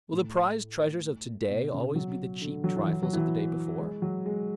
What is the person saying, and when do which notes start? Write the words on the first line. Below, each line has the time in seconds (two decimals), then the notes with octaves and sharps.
Will the prized treasures of to-day always be the cheap trifles of the day before?
0.12 A2
1.49 B2
1.73 C#3
1.95 F#3
2.41 D3
2.64 F#3
2.76 E3
2.87 F#3
3.03 F#3
3.13 E3
3.17 F#3
3.79 G#3
4.02 F#3
4.26 G#3